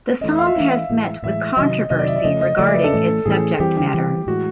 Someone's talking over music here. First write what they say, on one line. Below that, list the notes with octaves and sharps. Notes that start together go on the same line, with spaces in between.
The song has met with controversy regarding its subject matter.
E3 A3 C#4 D#5
E5
F5
E5
E3 A3 C#4
A2 E3 G#3
A2 E3 G#3 E5
C3 D#3 F#3 D#5
C3 D#3 F#3 D#5
D5
E5
D5
C#3 F3 A3 C#4 D#5
D#5
C#3 F3 A3 C#4 D5
E5
B4
A4
A2 E3 A3 C#4
A2 E3 A3 C#4 G#4
E3 G3 C4 G4
G4
E3 G3 C4
A2 E3 G#3 F#4